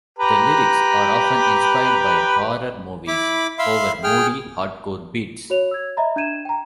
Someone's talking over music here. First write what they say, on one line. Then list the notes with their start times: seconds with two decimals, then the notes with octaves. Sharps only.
The lyrics are often inspired by horror movies over moody, hardcore beats.
0.19 G4 B4 A#5
3.07 E4 B5 D6
3.59 E5 F5 B5 C6
4.04 G#4 G5 F6
5.50 F#4 C#5 F7
5.71 E6 G#6
5.97 D#5 E5 A#5 B5
6.16 D4 G6 G#6 D#7 E7
6.45 G5 A#5